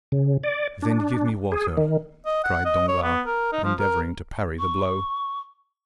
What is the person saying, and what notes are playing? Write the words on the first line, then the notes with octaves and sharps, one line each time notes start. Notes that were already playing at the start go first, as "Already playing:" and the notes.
"Then give me water," cried Danglars, endeavoring to parry the blow.
C#3
D5
D4
G#4
D#3
D#5
F#5
D#5
C#5
B3
A#4
D#4
F3
A#4
C#6